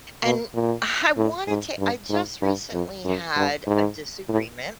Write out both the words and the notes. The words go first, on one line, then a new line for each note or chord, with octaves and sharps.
and I wanted to I just recently had a disagreement,
B2
A#2
A2
G#2
G2
G#2
G2
F2
F#2
G2
G#2
A2